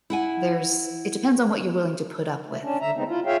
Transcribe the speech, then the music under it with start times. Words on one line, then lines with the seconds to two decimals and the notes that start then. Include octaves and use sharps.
there's it depends on what you're willing to put up with,
0.10 E4 F#5 G#5
2.48 C3 A3
2.62 C#4 D4
2.81 D3 E5 A#5
2.96 C#3 G#3 B3 C4 D#4
3.09 E4 F4
3.26 F4 G#4 C#5 E5 F5 G5